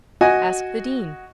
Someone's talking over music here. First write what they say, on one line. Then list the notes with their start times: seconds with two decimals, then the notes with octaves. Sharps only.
Ask the Dean.
0.21 F#4 D#5 G#5